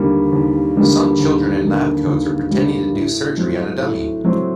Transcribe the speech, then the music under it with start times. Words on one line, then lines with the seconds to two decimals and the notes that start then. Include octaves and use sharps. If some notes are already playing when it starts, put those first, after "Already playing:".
Some children in lab coats are pretending to do surgery on a dummy.
Already playing: D#2 D3 G3 A#3
0.32 D#2
0.76 D3 G3 A#3
1.19 D#2
1.63 D3 G3 A#3
2.06 D#2
2.50 D3 G3 A#3
2.94 A2
3.38 F#3 A3 C4
3.81 A2
4.25 F#3 A3 C4